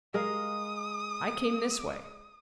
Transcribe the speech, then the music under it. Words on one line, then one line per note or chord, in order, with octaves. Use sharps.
I came this way.
G#3 A#4 F5 D#6